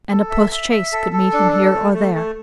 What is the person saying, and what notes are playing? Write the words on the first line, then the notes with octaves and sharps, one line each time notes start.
And a postchaise could meet him here or there.
A4
E5
E5
E5
A4
A4
D4
A4
A3
A3
A3